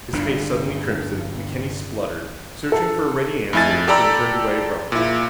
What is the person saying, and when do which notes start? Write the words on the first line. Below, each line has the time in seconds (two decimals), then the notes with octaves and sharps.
His face suddenly crimson, McKenny spluttered, searching for a ready answer, then turned away abruptly.
0.13 G1 F#2 D3 D4
2.72 A4
3.53 F2 A3 E4 G#5 A6
3.88 G4 A4 D5 A#5 B5 E6
4.92 A#2 E4